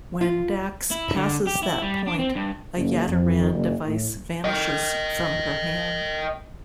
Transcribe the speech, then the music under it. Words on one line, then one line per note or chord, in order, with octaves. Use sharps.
When Dax passes that point, a Yaderan device vanishes from her hand.
F4
E4
D3
G4
E4
G3
D4
C4
G2
F#1
F2
F#1
A2
D#5 G5